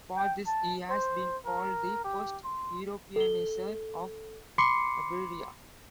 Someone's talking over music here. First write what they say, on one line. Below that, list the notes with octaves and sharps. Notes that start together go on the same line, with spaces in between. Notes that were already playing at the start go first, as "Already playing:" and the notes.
For this he has been called the first Europeaniser of Iberia.
G5
A5
C5
A#4
G4
C6
A4 G7
B5 C6 D6 C7 C#7